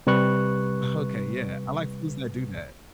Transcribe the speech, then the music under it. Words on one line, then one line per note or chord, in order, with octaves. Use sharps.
Okay. Yeah. I like foods that do that.
C3 G3 B4 C#6 F#6